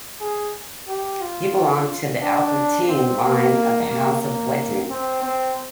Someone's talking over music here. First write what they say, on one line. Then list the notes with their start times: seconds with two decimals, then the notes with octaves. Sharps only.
He belonged to the Albertine line of the House of Wettin.
0.20 G#4
0.88 G4
1.21 F4
2.21 D4
2.88 C4
3.21 A#3
3.88 A#3
4.22 A#3
4.89 C4
5.22 C4